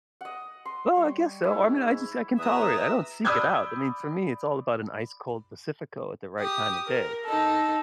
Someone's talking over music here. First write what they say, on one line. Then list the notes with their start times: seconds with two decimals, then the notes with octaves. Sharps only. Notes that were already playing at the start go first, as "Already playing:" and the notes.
Well, I guess so, I mean, I just I can tolerate it, I don't seek it out, I mean, for me, it's all about an ice-cold Pacifico at the right time of day,
0.21 D#5 F#5
0.65 C6
0.97 G3 C#5
1.44 G#2 E4
2.39 E2 B4 E5 A#5 D#6
3.25 D5 B5 D#6 E6 G6 G#6
6.40 G4 D#6
6.87 A#4
7.26 D#4 A4